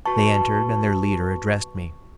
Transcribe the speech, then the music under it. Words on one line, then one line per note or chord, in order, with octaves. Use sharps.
They entered, and their leader addressed me.
F#4 B4 A5 C#6